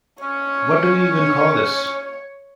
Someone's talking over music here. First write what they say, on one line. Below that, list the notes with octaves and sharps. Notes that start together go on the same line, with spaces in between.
What do we even call this?
C#4 C#5